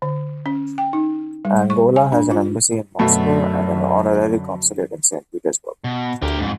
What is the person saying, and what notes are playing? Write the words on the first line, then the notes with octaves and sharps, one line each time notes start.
Angola has an embassy in Moscow and an honorary consulate in Saint Petersburg.
D3
C#4
G5
D#4
G3
C#6
G#5
D4
F4
F#2 B2 D3 A3 F#4
B2
D2 G4 A#4
F2 G#2